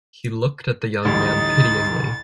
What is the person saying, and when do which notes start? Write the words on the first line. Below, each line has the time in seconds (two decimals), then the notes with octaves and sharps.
He looked at the young man pityingly.
1.05 A1 D2 G3 D#4 A6